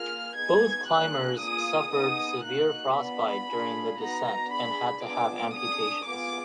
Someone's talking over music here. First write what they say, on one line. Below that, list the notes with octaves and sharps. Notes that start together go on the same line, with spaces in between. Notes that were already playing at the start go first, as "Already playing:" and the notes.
Both climbers suffered severe frostbite during the descent and had to have amputations.
Already playing: A#3 F4 G#4 F6
B3 D#4 G#4 G#6
A#3 D4 F4 G#4 F#6
A#3 F4 G#4 D#6
B3 D#4 G#4 D#6
A#3 D#4 F#4 F#6
B3 D4 F4 B5
D4 F4 G#4
B3 D#4 F#4 A#5
D4 G#4 B5
B3 D4 F4 G#4 D6
D4 G#4 D#6
B3 F4 G#4 D6